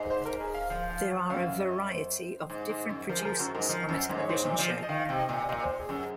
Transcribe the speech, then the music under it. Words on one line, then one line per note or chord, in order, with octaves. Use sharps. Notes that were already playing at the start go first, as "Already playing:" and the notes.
There are a variety of different producers on a television show.
Already playing: G#2
C5
A#4
G#4
F5
F3 F5
F5
F#5
F#2 F5
D#5
C5
G#2
G#2
F#2
F3 A#4
G#4
F3 A#4
F#2 F#4
G#2 A#4
F3
F#2
G#2
C#5
G#2 C5
A#2
F3
D#5
D#3 F5
C3
D#5
A#2
A#2 D#5
C5
G#4
F#2
G#4